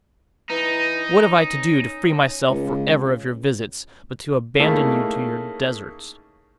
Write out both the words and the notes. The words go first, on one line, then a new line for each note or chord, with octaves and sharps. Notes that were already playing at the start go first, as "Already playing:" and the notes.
What have I to do, to free myself for ever of your visits, but to abandon you to your deserts?'
E3 D#4
C#4
C#2
A3 A#3 C#4 D#4 E4 G#4